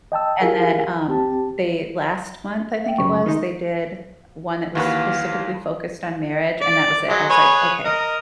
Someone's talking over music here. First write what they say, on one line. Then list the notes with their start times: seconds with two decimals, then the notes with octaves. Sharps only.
And then, um, they last month I think it was, they did one that was specifically focused on marriage, and that was it, I was like, "Okay,
0.12 D#5 G5 A5 E6
0.40 E4 G4 G#4 A#4 F5 G#5
1.07 D2 C4 G4 A5
2.84 E5 G5
2.98 F#2 C#3 C#6
3.26 D#3 G#3 D#4
4.75 D#2 E3 F4 F#4 B4 F5
6.61 D5
7.09 F#3 G#3
7.30 G#4 B4 C#5
7.85 A#4 D#5